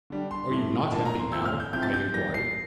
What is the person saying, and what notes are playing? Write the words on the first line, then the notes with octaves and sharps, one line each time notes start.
"Are you not happy now?" I inquired.
D3 G3 D4
C6
A2 E3 A3 E4
A2 F3 A#3 D4 A5
A#5
C6
A2 F3 C4 E4 E6
F6
G6
C3 F3 C4 E4 G6
A6
G6
E3 G3 A#3 A#6
C7